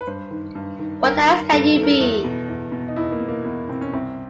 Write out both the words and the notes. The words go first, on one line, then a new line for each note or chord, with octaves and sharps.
What else can you be?
B4
G2 C5
D#3
G2
D#3
G2 A#4
D#3
G2 A4
D#3 A4
A#4
A4
E2
B2
E2
B2
D#4
E2 E4
A#3
B2
A#3
E2 B3
B2 C4
C#4
C2 C4